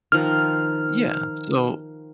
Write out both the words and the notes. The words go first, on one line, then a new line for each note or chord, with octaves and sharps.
Yeah, so
D#3 F3 A#5 F6